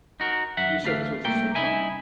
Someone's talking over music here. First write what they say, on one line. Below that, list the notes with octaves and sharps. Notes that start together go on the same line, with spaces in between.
You said this was a sitcom?
D#4 F#4 A#4
F#2 E5 F#5
D2 E3 A3 F5
C2 A3 A#3 A4 G5
C2 C#4 D#4 E4 E5 G#5